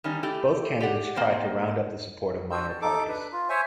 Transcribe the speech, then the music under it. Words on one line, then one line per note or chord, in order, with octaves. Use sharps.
Both candidates tried to round up the support of minor parties.
D#3 G3 C#4 D#4
A3 E4 G4
G4 D5 F#5
A#3 C4 C5
D4 F#4 C5 E6
A5
D#4 A4 D6
D4 B4
F4
C5 C#5 E5 G#5